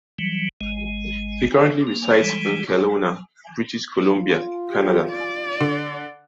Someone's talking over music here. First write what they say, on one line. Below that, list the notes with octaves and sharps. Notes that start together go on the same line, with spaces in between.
He currently resides in Kelowna, British Columbia, Canada.
E3 F#3 G3
G#1 G#3
A#3
E3 G3 G#3
F4
G4
D5
D3